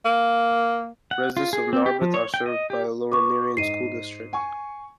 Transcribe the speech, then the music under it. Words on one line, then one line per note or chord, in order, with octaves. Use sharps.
Residents of Narberth are served by the Lower Merion School District.
A#3
F#5
F4
G#4
C4
G4
F3
C#5
G5
D#5
G4
B4 C#6 D6
G#2 D#5 C7 D#7
G#5 C#6